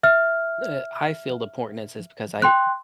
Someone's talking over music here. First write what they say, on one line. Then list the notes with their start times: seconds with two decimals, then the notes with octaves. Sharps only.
the, uh I feel the importance is is because I
0.03 E5 F6
2.42 G5 C6 F#6